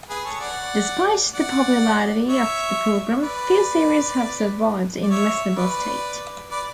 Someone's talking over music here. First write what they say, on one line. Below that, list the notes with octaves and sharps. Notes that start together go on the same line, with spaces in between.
Despite the popularity of the program, few series have survived in a listenable state.
G#4 B4
A4 C#5
D5 F#5
D5 F#5
C#5 E5
B4 D5
D5
C#5 E5
B4 D5
B4 D5